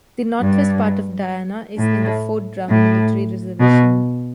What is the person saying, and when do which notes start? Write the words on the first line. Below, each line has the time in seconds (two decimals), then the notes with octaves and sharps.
The northwest part of Diana is in the Fort Drum military reservation.
0.41 G2
1.78 A2
2.69 A2
3.60 B2